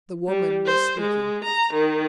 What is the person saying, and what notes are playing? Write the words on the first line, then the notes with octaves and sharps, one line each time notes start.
The woman was speaking.
G3
C5
G#3
A#5
D#3